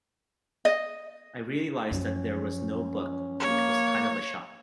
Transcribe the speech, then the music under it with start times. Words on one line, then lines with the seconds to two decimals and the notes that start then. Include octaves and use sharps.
I realized that there was no book, which was kind of a shock.
0.65 D#5
1.91 F#2 F3 C#4
3.40 A#3 C#5